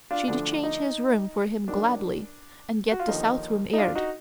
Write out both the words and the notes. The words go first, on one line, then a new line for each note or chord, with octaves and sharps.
She'd change his room for him gladly, and get the south room aired.
D4 F4
D2 D3 F3 D4
D#4
D#2 D#3 F#3 D4
F#4
F4
D#2 D3 F3 D#4
D#4
D4 F4
D#4 F#4